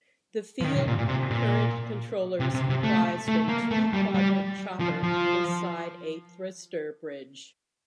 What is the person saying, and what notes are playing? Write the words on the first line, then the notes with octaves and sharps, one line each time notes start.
The field current controllers comprised a two quadrant chopper inside a thyristor bridge.
F3
D#3
C3
A#2
A#2
C3
A#2
C3
C3
C3
A3
A3
A#3
A3
G3
G3
F3
F3